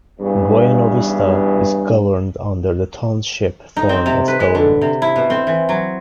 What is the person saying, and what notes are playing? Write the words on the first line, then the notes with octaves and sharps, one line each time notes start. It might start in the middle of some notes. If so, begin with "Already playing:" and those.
Buena Vista is governed under the Township form of government.
E2 G2 C#3
D#4
C4
C3
B4
G#3
D3
C3
E4
B2
C4
E3
F#3